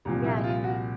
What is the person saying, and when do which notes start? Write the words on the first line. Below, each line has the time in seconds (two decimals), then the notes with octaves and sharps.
Yeah, you
0.05 C2 A#2 F3
0.25 E4
0.44 F4
0.64 F#4